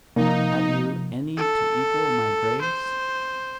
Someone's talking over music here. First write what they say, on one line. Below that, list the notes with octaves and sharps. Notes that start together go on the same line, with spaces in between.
Have you any to equal my grace?
C3 F3 A#3 D#4
A4
C5